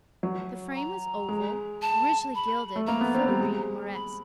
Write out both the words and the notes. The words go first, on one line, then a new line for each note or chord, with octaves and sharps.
The frame was oval, richly gilded and filigreed in Moresque.
F#3
A#5
G#3
A5
B5
A3
A#3 A#5
B3
C4
G3
G#3
B5